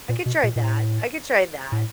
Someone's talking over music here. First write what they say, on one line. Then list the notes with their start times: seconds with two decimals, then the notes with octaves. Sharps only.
I could try that, I could try that.
0.09 A#2
0.26 B2
0.43 A#2
0.56 A#2
0.62 A2
1.72 A2